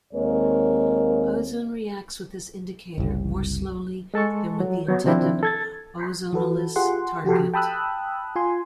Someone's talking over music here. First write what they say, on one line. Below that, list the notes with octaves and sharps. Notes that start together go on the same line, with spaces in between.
Ozone reacts with this indicator more slowly than with the intended ozonolysis target.
D#2 G#3 A#3 C4 A#4 C#5
F#1 C2
G#3 A4 A5 C#6
F#3
F#3 B3
C3 D#3 F3 C4 D4 E4
A4 G#6 A6
E3 F#4 A4 B4
F4 G4 G#4 F#5 C6
F3 F#4 G4 A4
G5 A5 B5 D#6 E6 F#6
F4 G#5 C6